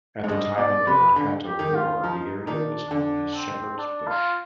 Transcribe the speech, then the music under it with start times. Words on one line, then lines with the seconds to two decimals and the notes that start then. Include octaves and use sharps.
At the time of the Waikato War, the area was known as Sheppards Bush.
0.24 G#2
0.28 G2 D#5
0.58 B2 D5
0.87 C3 B4
1.16 D3
1.45 G4
1.59 D#3
1.74 F4
2.03 F3 D#4
2.47 D#3 D4
2.90 D3 D4
3.34 C4
3.78 D4
4.07 F4